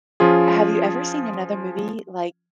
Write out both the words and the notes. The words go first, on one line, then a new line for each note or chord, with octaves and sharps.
have you ever seen another movie like
F3 C#4 F4 G#4